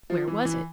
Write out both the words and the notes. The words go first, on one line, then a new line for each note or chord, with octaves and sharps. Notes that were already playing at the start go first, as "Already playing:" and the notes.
Where was it?
F3
E3
E3